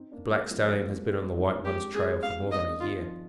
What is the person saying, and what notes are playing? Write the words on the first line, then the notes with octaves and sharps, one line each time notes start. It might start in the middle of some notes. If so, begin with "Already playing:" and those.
The black stallion has been on the white one's trail for more than a year.
Already playing: C4 D#4
A#3 D4
G3 A#3
F3 G#3
F3 G#3
G3 A#3
G#3 C4
G3 A#3
G#3 C4
C4 D#4
A#3 D4
G#3 C4 G4
G#3 C4 G#4
G#3 C4 F5
C4 D#4
D#5
A#3 D4
D#3 F4
F3